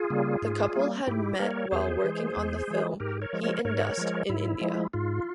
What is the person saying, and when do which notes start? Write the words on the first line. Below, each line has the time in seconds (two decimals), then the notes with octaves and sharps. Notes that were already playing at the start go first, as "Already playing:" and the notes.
The couple had met while working on the film "Heat and Dust" in India.
Already playing: F4 G#4
0.10 C#3 G3 A#3
0.42 G#2
0.76 G3 A#3
1.07 G#2 E4 G4
1.39 G3 A#3 A#4 C#5
1.71 E2 G#4 C5
2.04 E3 G#3
2.37 E2
2.68 E3 G#3
3.00 G#2 G4 A#4
3.22 A#4 C#5
3.33 F3 G#3
3.43 A#4 C#5
3.65 G#2 A#4 C#5
3.97 F3 G#3
4.29 G#2 E4
4.61 F3 G#3
4.93 G#2 F4